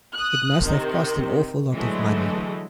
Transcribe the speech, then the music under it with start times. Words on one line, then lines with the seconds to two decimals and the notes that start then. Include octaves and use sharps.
It must have cost an awful lot of money.
0.15 D#6 F#6
0.61 C3 D#3
1.74 D3 E3 F#3 G#3 A3